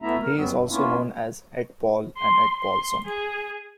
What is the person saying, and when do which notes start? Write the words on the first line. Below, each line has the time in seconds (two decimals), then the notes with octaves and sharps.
He is also known as Ed Paul and Ed Paulson.
0.02 D2 A3 B3 E4 E5 A#5
0.22 A#4
0.35 F#2 F#3 G3 B3
0.50 G2
0.70 A#3 B3 C#4 E4 F4
2.17 C6
2.61 C6
3.05 G#4